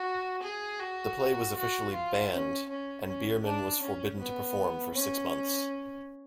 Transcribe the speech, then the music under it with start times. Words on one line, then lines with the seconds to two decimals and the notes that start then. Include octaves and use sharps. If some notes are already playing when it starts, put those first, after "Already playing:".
The play was officially banned and Biermann was forbidden to perform for six months.
Already playing: F#4
0.43 G#4
0.80 F#4
1.55 F#4
1.93 F4
2.32 C#4
2.69 C#4
3.06 C#4
3.44 D4
3.82 C#4
4.20 B3
4.94 C#4